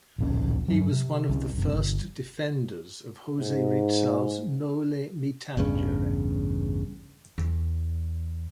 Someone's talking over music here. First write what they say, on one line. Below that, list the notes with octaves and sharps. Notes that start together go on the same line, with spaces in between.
He was one of the first defenders of Jose Rizal's "Noli Me Tangere".
D1 A#1 C#4
G2 F#3
C3
C2 G3 C#4
F#1 C3
G1 G2
G#2
A1 E2 G2 C#3
E2